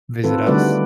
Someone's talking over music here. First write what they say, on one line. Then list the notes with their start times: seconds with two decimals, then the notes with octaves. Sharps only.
visit us.
0.24 D#3 C4 F4 A4 B4
0.47 D3 G3 A3 F#4 B4 D5